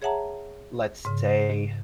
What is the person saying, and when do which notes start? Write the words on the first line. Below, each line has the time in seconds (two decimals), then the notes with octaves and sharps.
let's say,
0.02 G#4 C#5 E5 F#5 A5 A#5
1.05 G#2 C#3